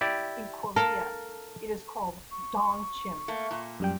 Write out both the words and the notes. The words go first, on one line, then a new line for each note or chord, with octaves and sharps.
In Korea, it is called ttongchim.
E4 G4 D5
A4 A#4 F5
C#6
A3 A#3
A#2
F#2 G3 G5